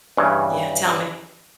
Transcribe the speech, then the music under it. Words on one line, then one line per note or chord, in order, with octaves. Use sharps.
Yeah, tell me.
G2 C#3 E3